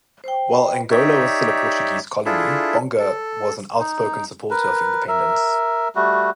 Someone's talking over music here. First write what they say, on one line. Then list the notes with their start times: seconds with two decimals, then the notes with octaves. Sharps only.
While Angola was still a Portuguese colony, Bonga was an outspoken supporter of independence.
0.24 C5 G5
0.91 D#4 G4 C#5 D5 E5
2.26 D4 E4 F4 G#4 A4 E5
2.99 A4
3.79 D#4
4.50 A#4 B4
5.08 A#4 E5
5.95 G3 A3 F#4